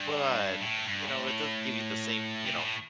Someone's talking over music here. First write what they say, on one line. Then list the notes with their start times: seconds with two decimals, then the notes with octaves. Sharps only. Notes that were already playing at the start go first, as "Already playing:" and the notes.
but, eh, you know, it doesn't give you the same, you know,
Already playing: G2
0.61 A2
0.85 G2
1.08 A2
2.46 C3
2.55 A#2
2.65 A2